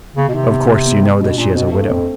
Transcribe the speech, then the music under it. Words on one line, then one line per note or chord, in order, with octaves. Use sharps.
"Of course you know that she is a widow."
C#3 B3
B2
C3 D#3
B3
B3
B3
G3
B2 D4
A#2 D4
B2 C4
G2 A3
F2 C4